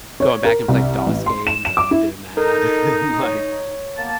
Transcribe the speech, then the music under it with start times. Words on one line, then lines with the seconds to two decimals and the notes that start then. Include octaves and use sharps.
going back and playing DOS games, I love doing that, and, like,
0.20 C#5
0.45 A#4
0.68 C2
1.06 A1
1.26 C6
1.47 E7
1.65 E7
1.77 D6
1.91 E4
2.37 D#4 A4 A#4
3.23 C#5
3.98 A#3 B3 A5